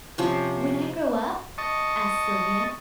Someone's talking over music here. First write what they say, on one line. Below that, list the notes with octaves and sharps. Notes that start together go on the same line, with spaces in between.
"When I grow up?" asked Sylvia.
C3 F3 C#4
D#5 A5 C#6